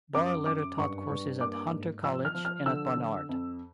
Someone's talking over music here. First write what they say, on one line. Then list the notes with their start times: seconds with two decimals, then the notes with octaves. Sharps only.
Barr later taught courses at Hunter College and at Barnard.
0.15 F#2 D6
0.46 F#2 D6
0.77 G2 C#6
1.10 G2
1.40 A#3 D6
1.72 G#2
2.03 F3 E6
2.25 F6
2.34 F3
2.45 F6
2.66 D3 E6
2.97 D3
3.29 F2